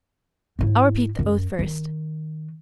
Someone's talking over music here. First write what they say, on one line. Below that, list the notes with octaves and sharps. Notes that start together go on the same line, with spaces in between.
I'll repeat the oath first.
G#2 E4
F#2
D#3